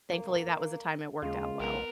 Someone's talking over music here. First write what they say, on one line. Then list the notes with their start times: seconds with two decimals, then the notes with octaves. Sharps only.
thankfully, that was the time it worked out well.
0.13 A#3
1.22 D#2 C#3 G#3 F4
1.60 B1 B3 A#4